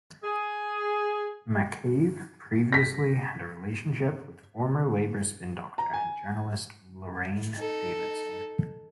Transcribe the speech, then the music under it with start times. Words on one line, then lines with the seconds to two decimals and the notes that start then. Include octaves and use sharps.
McCabe previously had a relationship with former Labour spin-doctor and journalist Lorraine Davidson.
0.23 G#4
2.72 A#6 B6
5.78 A#5
5.94 G#5
7.57 D#4 A4